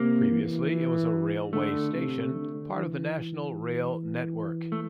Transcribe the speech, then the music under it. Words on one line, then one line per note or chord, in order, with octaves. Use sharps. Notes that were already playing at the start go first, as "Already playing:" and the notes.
Previously it was a railway station, part of the National Rail network.
Already playing: C3 A#3
E3
D3 A3
C3
D3
E3
E3
A3